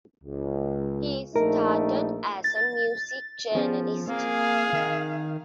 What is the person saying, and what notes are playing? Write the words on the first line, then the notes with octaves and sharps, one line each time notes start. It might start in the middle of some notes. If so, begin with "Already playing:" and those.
He started as a music journalist.
C#2
A#1 A3 D#4 A#4
A6
F3 B3 C#4 G#4
A#3 C4 G#4 F5
D#3